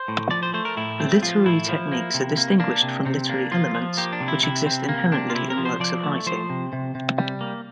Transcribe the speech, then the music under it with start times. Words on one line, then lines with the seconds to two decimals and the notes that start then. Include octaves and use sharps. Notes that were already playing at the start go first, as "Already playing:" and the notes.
Literary techniques are distinguished from literary elements, which exist inherently in works of writing.
Already playing: C5
0.08 A2
0.31 F3 D5
0.43 C5
0.54 A3 C5
0.65 A#4
0.77 A2 E4
1.00 A3 C4
1.22 F3 F4
1.46 A2 E4
1.69 F3
1.92 A#3
2.14 C3
2.37 A#3
2.60 A#3 D4
2.83 C3
3.05 C3 C4
3.29 A#3 D4
3.52 F3 F4
3.75 F3
3.97 A#3 G4
4.13 D4
4.21 C3
4.28 E4
4.43 C3 E4
4.66 C3 C4
4.89 A#3
5.12 C3 D4
5.30 F4
5.35 C3 E4
5.50 A#4
5.58 F3
5.65 C5
5.80 F3 D5
6.03 A3
6.26 F3 C5
6.50 C3
6.73 C3
6.95 C3
7.18 G3
7.41 A#3